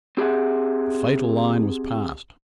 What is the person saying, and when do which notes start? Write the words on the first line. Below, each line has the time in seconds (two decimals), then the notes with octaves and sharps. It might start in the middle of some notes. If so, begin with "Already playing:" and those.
The fatal line was past.
0.17 C4 G4 G#4 E5 F#5